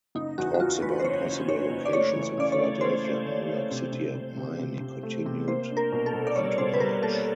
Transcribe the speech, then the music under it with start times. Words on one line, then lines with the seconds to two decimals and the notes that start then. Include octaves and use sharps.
Talks about possible locations in Philadelphia, New York City and Miami continued into March.
0.15 F#1 D#4
0.38 E2 F#4
0.54 F#4
0.60 E2 F4
0.82 E2 B4
1.00 C5
1.04 F#1 C#5
1.26 F#1
1.48 F#1 C#5
1.70 F#1
1.85 D5
1.93 A3 C#5
2.15 E3
2.23 C#5
2.38 C#3 D5
2.52 C#5
2.59 A3
2.81 A3 C5
3.04 A3
3.25 A3
3.48 A3
3.71 C3
3.92 C3
4.15 C3
4.37 C3
4.59 C3
4.80 C3
5.03 A3
5.25 C3
5.48 A#3 C5
5.70 D4
5.77 A#4
5.92 B2
6.06 A4
6.13 B2
6.27 D5
6.36 G3 C#5
6.58 B2 C5
6.74 B4
6.80 G3 A#4
7.02 A#3 A4